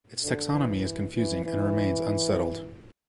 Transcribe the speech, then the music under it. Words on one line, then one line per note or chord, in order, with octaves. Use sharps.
Its taxonomy is confusing and remains unsettled.
D3
E3
E3
E3